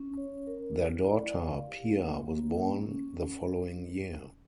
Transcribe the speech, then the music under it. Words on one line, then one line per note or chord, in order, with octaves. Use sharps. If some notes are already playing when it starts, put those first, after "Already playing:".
Their daughter, Pia, was born the following year.
Already playing: C#4
C#5
A#4
E4
D5
F5
G4
A#3
A#3
C#4
C#4